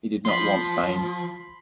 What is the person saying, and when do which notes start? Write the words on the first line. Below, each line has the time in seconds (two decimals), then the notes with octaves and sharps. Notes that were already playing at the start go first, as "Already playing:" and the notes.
He did not want fame.
0.25 F3 B5 C6